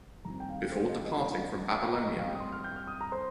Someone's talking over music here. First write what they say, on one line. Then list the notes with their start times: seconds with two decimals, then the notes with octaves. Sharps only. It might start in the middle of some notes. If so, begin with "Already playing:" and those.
Before departing from Babylonia.
0.25 G2 D#3 C4 A#5
0.40 G5
0.49 F5
0.72 C5
0.89 D#5
1.05 D#5
1.68 F5
1.81 G5
1.92 A#5
2.04 D#5
2.16 G2 G3 C4 F5
2.28 G5
2.35 D#6
2.40 C6
2.53 F6
2.64 G6
2.76 F6
2.87 D#6
3.01 A#5
3.12 C5